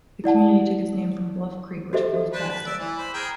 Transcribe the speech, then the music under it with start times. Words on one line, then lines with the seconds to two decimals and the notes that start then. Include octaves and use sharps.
The community took its name from Bluff Creek, which flows past it.
0.24 E4 D5 F#5 A5
1.93 F#4 G4 A4 C5 D#5 E5
2.33 D4 B4 C5
2.49 B4
2.66 D5 E5
2.79 E3
2.98 C5 B5
3.14 G#4 A#4 G5